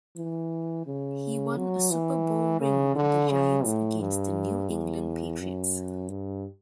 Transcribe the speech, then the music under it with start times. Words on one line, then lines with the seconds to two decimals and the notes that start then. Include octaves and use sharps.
He won a Super Bowl ring with the Giants against the New England Patriots.
0.17 E3
0.86 C#3
1.56 F#3
1.91 E3
2.60 C#3
2.95 D3
3.30 C#3
3.65 A2
4.00 G2
4.69 E2
5.40 F#2
6.09 G2